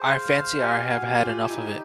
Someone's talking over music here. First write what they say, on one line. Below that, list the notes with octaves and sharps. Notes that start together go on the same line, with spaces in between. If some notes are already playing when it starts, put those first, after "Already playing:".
I fancy I have had enough of it.
Already playing: G#4 C5
F5
G4 G#5
F#4
G4
F4
D#4 E4